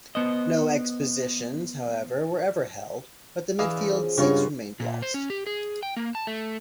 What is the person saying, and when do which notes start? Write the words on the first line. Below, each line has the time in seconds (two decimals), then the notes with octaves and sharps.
No expositions, however, were ever held, but the midfield seats remained lost.
0.15 B3 C5 D#5
3.59 E3 D4 G#4 F5
3.76 C#3 F3
4.18 G2 C#3 G#3 B3 C#4 F4 F#4 C#5
4.80 A#2
5.02 C5
5.14 C#4
5.30 G4
5.47 G#4
5.83 G5
5.97 A#3
6.15 A5
6.27 A3